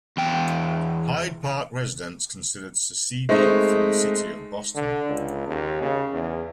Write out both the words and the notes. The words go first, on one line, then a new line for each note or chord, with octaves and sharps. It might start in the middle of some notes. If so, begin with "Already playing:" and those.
Hyde Park residents considered seceding from the City of Boston.
E2 G5
G#3 A3 C4 D#4
D3
C#2
D#2
C#3
E2